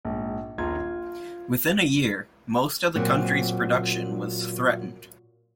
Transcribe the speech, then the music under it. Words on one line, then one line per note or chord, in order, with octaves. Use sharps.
Within a year, most of the country's production was threatened.
A#1 G#2
D#1 A#1 A#2 F4 A#5 G#6
F4
A#2 F#3 C4